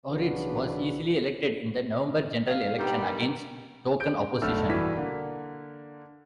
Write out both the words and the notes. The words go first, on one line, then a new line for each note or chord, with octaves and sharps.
Ortiz was easily elected in the November general election against token opposition.
B1 C#3 E3 D4 F#4 B4
F5
G2 B2 D3 D#3 G3 D#4 G4 B5
G6 D7
F1 B1 D3 A3 E6 F6
G2 B2 E3 B6
D3 A#3